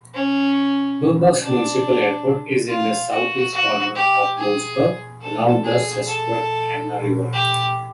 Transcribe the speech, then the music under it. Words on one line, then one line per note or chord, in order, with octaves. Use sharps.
Bloomsburg Municipal Airport is in the southeast corner of Bloomsburg, along the Susquehanna River.
C#4
D4
F4
F#4
F#4
G4
G#4
A4
G#4
A4
G4